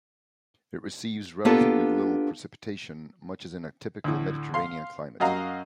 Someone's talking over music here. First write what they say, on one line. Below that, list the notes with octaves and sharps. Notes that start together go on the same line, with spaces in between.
It receives relatively little precipitation, much as in a typical Mediterranean climate.
A#3 B3 D4 F4 G4 A4
D2 A2
F5 C6
F#2 F#4 D#5 F5 A#5